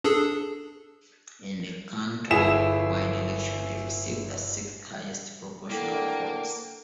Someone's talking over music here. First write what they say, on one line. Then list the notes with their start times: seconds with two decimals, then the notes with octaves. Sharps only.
In the canton-wide election they received the sixth highest proportion of votes.
0.04 D4 G#4 A4
2.30 G1 E4 G#4 E7
5.69 A#3 D4 E4 A4 F#5 G5